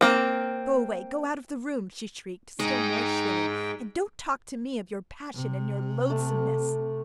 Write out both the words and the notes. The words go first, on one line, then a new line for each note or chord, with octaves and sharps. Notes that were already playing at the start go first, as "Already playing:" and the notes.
"Go away, go out of the room!" she shrieked still more shrilly, "and don't talk to me of your passion and your loathsomeness."
A#3 C4
G#2 G#3 D#4 D#5 G5
C3
A3